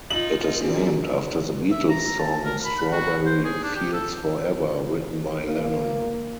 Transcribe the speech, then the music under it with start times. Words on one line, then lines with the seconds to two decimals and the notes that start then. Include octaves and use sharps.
It is named after the Beatles' song "Strawberry Fields Forever" written by Lennon.
0.10 D#4 F4 F#7
0.60 C4 D4 F#4 G#4
1.72 E5
1.89 A#5
2.19 A5
2.45 A#4
2.64 B5
2.92 F#4
3.26 C5
3.45 G#4
3.63 D4
3.76 G4
3.93 A4
5.44 A#3